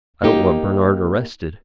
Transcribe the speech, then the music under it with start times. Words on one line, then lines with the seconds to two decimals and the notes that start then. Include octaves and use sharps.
"I don't want Bernard arrested."
0.23 A#3 D#4 G4